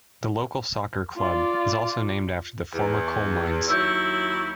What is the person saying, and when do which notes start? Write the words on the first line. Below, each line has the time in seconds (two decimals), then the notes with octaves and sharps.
The local soccer club is also named after the former coal mines.
1.17 F4 D5
2.74 E2
3.68 D#2 F#3 E4 E6 G6